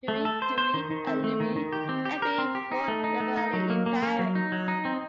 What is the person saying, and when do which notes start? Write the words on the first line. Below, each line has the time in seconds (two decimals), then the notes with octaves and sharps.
Huey, Dewey and Louie appear more regularly in Paris.
0.08 A3
0.25 A4
0.42 C5
0.58 C5
0.74 D#3
0.91 D#3
1.07 C4
1.24 A3
1.40 D#3
1.56 D#3
1.73 G4
1.89 C4
2.05 G4
2.22 A#4
2.38 C4
2.55 G4
2.72 D#4
2.88 A3
3.04 D#4
3.20 A3
3.37 D#4
3.53 F#3
3.70 A#3
3.86 A#3
4.03 A#3
4.19 F#3
4.35 D#4
4.52 F#3
4.68 D#4
4.85 C4